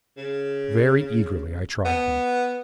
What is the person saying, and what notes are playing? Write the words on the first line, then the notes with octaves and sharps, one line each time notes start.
Very eagerly I tried them.
C#3
B3